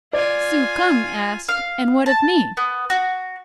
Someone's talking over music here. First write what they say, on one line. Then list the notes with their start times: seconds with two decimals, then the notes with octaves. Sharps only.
Tzu-kung asked, And what of me?
0.13 F4 D5 G#5
1.49 F5
2.06 A5
2.57 B3
2.90 F#4